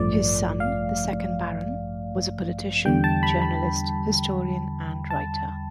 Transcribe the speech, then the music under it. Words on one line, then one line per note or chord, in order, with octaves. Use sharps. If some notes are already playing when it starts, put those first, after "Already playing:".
His son, the second Baron, was a politician, journalist, historian and writer.
Already playing: A1 G2 F3 A3 D5
F5
E2 D3 G3 G5
A5
B5
B5
A5